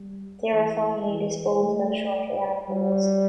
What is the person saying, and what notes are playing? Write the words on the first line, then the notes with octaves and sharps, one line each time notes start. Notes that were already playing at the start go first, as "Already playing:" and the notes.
They were finally disposed of shortly afterwards.
Already playing: G3
E3
E3
A3
G3